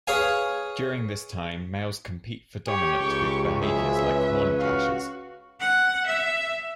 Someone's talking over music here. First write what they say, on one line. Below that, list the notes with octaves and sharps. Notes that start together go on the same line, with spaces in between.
During this time, males compete for dominance with behaviors like horn clashes.
G#4 B4 C#5 F5 G#5
G4 C#5
C#2 C#6
F3 F#3 G#3 G#4 E5
C#4 B4
F#4 F5
F#5
E5